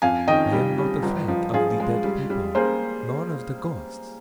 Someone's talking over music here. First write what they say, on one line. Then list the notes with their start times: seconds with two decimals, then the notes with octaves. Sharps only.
I am not afraid of the dead people, nor of the ghosts.
0.02 F2 F5 G#5
0.28 D#3 D#5 G5
0.53 G3
0.78 G3
1.03 G1
1.28 F3
1.54 F3 F4 G#4
1.80 G#3
2.04 G3
2.30 G3
2.55 A#3 G#4 C5